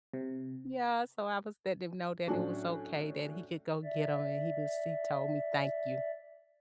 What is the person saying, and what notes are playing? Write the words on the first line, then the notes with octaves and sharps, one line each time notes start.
Yeah. So, I was letting him know that it was okay that he could go get 'em, and he was he told me "thank you."
C3
A2 F#3 C#4 D4 F#4
D5 E5